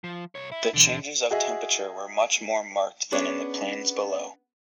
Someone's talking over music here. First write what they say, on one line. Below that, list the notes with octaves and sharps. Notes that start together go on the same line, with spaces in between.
The changes of temperature were much more marked than in the plains below.
F3
C2 C#5
E4
D2 B2 D3 E3
F#4 G#4 D#5 E5
B3 C#4 D4 G#4